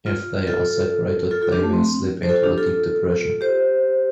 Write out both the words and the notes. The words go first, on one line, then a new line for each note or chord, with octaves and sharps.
If they are separated, they may slip into a deep depression.
F4
F4 A4
F4 A4
F4 A4
D4 G4
A3
C4
C5
F4 A4
D4 G4
F4 A4
G4 C5